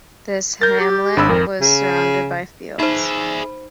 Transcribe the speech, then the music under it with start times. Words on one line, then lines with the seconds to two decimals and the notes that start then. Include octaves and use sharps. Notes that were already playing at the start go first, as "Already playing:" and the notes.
This hamlet was surrounded by fields.
0.61 A#4 G6 A6
0.80 G4
1.17 G#1 D4 B5 E6
1.29 F2 A#4
1.61 C#3
2.79 D#4 G#4 C5 E5 B5